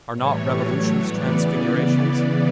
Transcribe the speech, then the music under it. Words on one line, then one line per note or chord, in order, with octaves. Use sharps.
Are not revolutions transfigurations?
A2 E3 G3 C#5
A2 F#3 A3 C#5
C#3 E3 B3 D5